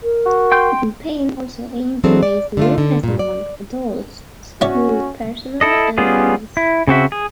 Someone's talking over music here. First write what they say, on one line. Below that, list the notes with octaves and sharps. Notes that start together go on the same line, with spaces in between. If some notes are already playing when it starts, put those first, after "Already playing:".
The campaign also aimed to raise awareness among adults, school personnel, and parents.
A#4
F#4
G5 C6 G6
E3 F#3 C4 D4 G#4 A4
D5
D3 A3 F4
D3
G2 A#2
D5
C#4 E4 F#4 C#5 D5
E4 A4 D#5
G3 B3 C#4 F4 G#4
E4
C#3 C4 F#4 E5
G#4